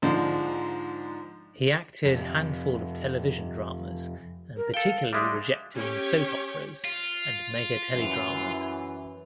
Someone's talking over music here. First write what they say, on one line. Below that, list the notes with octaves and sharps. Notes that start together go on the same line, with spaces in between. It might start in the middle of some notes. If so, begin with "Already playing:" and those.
He acted handful of television dramas and particularly rejecting soap operas and mega teledramas.
G#2 D3 F3 G#3
F2 C3
A#4
A4 F5 G5
G3 G#3 D4 E5
C#4 G4 C#5
F4
F#2 E3